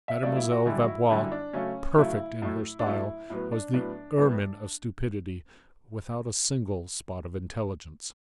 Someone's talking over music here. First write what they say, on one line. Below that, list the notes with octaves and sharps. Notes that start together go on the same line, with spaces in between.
Mademoiselle Vaubois, perfect in her style, was the ermine of stupidity without a single spot of intelligence.
E5
C#3 F#3 A3 D5
E4
F#4
F#2 D3 G3 E4
F#4
E4
F#2 D3 G3 E4
D4
C#3 F#3 A3 C#4
C#3 F#3 A3 E4
A2 F#3 A3
D4
A2 F#3 A3 E4
A2 F#3 B3
D4
A2 F#3 B3 D4
A2 G3 B3